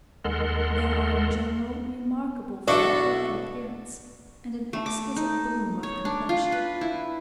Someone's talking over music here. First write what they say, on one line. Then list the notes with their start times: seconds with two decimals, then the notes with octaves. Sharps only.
They are in general remarkable for a healthy appearance, and an exquisite bloom of complexion.
0.25 D#2 G#3 A4 A#4 F#5 C6
2.68 B1 D4 E4 F#4 A4 D5 C#6
4.73 A3
4.86 D6
5.16 D#4
5.83 C#5
6.05 D4
6.29 F4
6.52 B4
6.81 E4